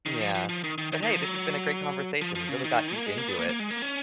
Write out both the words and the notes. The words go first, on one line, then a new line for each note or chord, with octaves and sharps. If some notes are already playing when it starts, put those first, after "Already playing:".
Yeah. But hey, this has been a great conversation, we really got deep into it.
D#3
F3
F3
F3
D#3
D#3
D#3
D#3
F3
F#3
F3
F3
C#3
D#3
A#3
G#3
A#3
B3
A#3
A#3
G#3
A#3
C#4